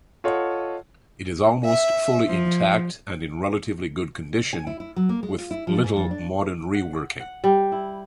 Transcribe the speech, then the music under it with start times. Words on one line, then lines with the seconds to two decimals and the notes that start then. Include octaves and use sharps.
It is almost fully intact and in relatively good condition with little modern reworking.
0.24 F4 A4 C#5 D#5 F#5
1.65 E5
2.28 F3
4.53 G#5
4.67 E4
4.80 E4
4.96 F#3
5.09 A#3
5.23 G#3
5.38 F4
5.51 E4
5.67 F3
5.84 G#2
5.96 F2
6.11 D4
6.74 F#5
7.20 F#5
7.44 G3
7.72 E4